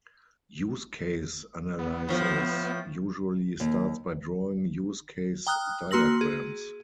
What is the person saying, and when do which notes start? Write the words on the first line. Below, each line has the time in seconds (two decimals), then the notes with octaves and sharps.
Use case analysis usually starts by drawing use case diagrams.
1.78 B3
2.09 A2 F3
3.60 D#2
5.47 G5 A#5 D#6 F6 F#6
5.91 A#3 F#4 C6 E6 A#6 F#7
6.21 G#4